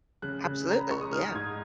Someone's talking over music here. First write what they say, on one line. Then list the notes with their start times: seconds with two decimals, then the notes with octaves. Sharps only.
Absolutely, yeah.
0.22 C#3 F#6
0.45 C#3
0.68 C#4 A#5
0.80 B5
0.90 G#3 C#6
1.01 D#6
1.13 D#4 F6
1.35 G#2 G#6